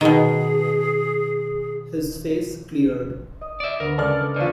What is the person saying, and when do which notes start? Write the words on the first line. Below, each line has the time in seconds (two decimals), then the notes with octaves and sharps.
His face cleared.
0.01 B2 D#3 G#4
3.41 D#5
3.60 D5 E5
3.80 D2 B3 A#4
3.98 C#2 G#3 A4 D5 F6
4.36 E2 D3 D4 F4 C5 C#6 E7